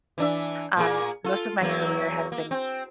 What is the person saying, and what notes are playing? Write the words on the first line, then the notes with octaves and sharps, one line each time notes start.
um, most of my career has been
E3 D4 E5
A#2 A#3 G#4
F4 A4
E2 F#3 A#3
A#3
C4